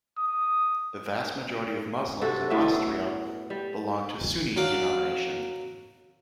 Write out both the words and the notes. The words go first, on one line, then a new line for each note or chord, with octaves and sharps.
The vast majority of Muslims in Austria belong to Sunni denomination.
D#6
C3 F#4 A4
A2 B3 A4 E5
G3
F#3 D5 F5